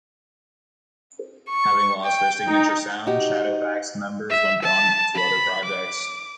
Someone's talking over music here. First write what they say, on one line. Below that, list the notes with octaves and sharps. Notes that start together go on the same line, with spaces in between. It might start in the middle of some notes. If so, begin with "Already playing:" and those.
Having lost their signature sound, Shadowfax's members went on to other projects.
C#6
G5
D#4
D#4 F#4 G4
E5
A5
B5
D6